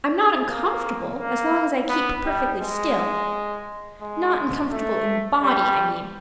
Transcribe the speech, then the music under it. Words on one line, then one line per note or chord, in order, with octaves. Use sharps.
I'm not uncomfortable, as long as I keep perfectly still . . . not uncomfortable in BODY I mean.
A#3
A#3
B3
G3
G#3
G#3
A3
G3